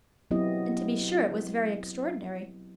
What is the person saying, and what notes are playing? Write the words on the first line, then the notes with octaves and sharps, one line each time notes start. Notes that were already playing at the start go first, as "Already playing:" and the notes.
And to be sure it was very extraordinary.
F#3 B3 C4 E4 G4 D#5